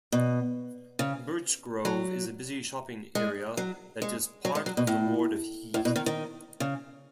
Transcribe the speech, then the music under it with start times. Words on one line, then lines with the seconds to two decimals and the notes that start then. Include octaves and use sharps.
Birchgrove is a busy shopping area that is part of the ward of Heath.
0.12 B2
0.99 C#3
1.85 F#3
3.15 G#3
3.57 F#3
4.02 G#3
4.45 F#3
4.55 G#3
4.66 F#3
4.77 B2
4.87 A2
5.74 A2
5.85 B2
5.96 D#3
6.06 D#3
6.60 C#3